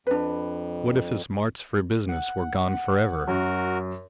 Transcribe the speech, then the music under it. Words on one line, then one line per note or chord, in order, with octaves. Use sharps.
What if his marts for business were gone for ever?
F2 D4 B4
F#5
F#2 F#4 A#4